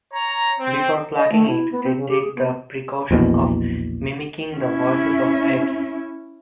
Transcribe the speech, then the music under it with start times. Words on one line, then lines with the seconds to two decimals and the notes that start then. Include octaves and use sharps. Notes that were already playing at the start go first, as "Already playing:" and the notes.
Before plucking it they take the precaution of mimicking the voices of apes.
0.13 C#5 A#5
0.60 C4
1.17 D#5
1.32 A3
1.47 E4
1.72 B3
1.84 C4
1.97 C#3
2.09 G4
2.21 G#4
2.36 B3
3.11 A#1 E2 B2
4.55 C#4 E4